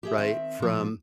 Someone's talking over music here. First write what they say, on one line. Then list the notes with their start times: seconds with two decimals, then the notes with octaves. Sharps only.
right, from
0.03 G4 G#4 E5
0.18 D#3 C4 E5
0.60 A#2 F3